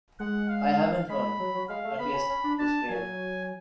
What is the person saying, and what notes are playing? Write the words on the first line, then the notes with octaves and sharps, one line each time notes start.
I haven't one — at least to spare.
G#3 F#5
F5
G#3 B5
F#3
F#3
G#3 F5
A3
B3 B5
C#4
C#4
D4
D4 A5
F#3 G#5